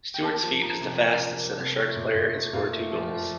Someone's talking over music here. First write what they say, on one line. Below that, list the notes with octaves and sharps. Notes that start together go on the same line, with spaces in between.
Stuart's feat is the fastest that a Sharks player has scored two goals.
G5
A#3 A5
F3
F3 A#5
C3
A#3 A#5
F3
A#3
C3
A3
A#2
A#2
A3
A#2 F5
A3
F3
F3